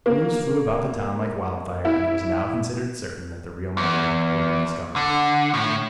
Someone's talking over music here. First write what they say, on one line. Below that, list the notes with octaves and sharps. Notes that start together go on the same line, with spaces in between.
The news flew about the town like wildfire, and it was now considered certain that the real murderer would be discovered.
A#3
E4
E2
D3
A2